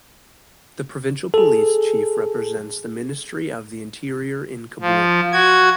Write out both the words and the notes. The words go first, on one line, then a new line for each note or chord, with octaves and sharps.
The provincial police chief represents the Ministry of the Interior in Kabul.
G#4 A4
F3
F#4 G#6